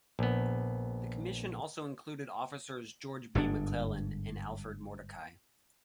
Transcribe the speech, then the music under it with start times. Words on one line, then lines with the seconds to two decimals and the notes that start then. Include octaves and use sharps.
The commission also included officers George B. McClellan and Alfred Mordecai.
0.19 A#1 B3
3.35 G1 G#2 D3 D4